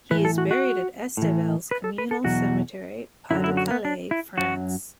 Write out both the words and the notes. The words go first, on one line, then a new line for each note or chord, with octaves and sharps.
He is buried at Estevelles Communal Cemetery, Pas-de-Calais, France.
A2 E3 B4
A4
F#4
F#4
A2 E3
B4
A4
B4
A4
E2 B2 F#3 F#4
F#2 D3 F#3 E4
E4
F#4
B3
D4
E4
F#2 F#3 F#4